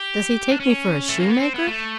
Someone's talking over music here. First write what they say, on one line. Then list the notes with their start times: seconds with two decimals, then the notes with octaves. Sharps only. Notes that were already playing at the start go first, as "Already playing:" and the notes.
Does he take me for a shoemaker?'
Already playing: G4
0.51 D4
0.60 C#4
1.09 A3
1.20 A#3
1.30 B3
1.40 C4
1.54 B3
1.67 A3